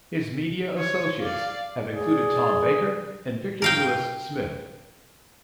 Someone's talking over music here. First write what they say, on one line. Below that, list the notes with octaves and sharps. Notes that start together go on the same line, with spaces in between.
His media associates have included Tom Baker and Victor Lewis-Smith.
C#5
D5 F5
G#4 D5
A#4 F5 G5